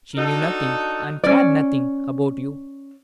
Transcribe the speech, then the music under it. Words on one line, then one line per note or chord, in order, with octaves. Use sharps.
She knew nothing, and cared nothing, about you.
D4 D#4 F#4 A4
C#4 D5